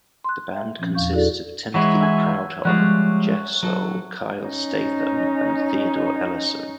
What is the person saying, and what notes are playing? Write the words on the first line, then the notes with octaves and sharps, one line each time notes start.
The band consists of Timothy Prudhomme, Geoff Soule, Kyle Statham, and Theodore Ellison.
C6 F#6
E5 G5
A#2 F3 C4 C#4
E2 F5 C#6 G6
D4 E4 F#4 G#4 A4 D5
E3 F#3 G#3 E4
E5 G#5
F3 G3 G#3 C#5 F#5
F#3 A4
C#4 D#4